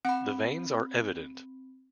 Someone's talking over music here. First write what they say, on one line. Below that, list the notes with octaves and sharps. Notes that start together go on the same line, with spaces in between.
The veins are evident.
C4 F#5 B5